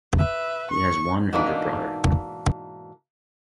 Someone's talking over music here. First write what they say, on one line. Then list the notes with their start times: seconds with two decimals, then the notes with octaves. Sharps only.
He has one elder brother.
0.17 B4 E5
0.71 C#6
1.33 G#2 B2 E3 A#3 D4 D#4